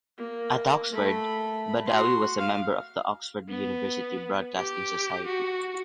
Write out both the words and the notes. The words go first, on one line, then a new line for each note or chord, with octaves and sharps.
At Oxford, Badawi was a member of the Oxford University Broadcasting Society.
A#3
A3 B5
F#4 C6
F5
B3
G4
F#4